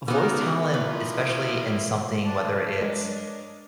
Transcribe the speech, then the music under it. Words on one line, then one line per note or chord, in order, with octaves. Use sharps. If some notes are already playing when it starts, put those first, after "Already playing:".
voice talent, especially in something, whether it's
B3 D#4 F#4 D6 F6
F3 A#3 E4 B4
D5 A5
G#3 D4 A#4 C#5 D#5